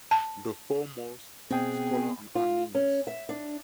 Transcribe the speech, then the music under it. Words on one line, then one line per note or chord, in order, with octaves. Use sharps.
The foremost scholar on Arminius.
A5
B2 C4 G#4 G5 G#5
F4
C#4
E5
D4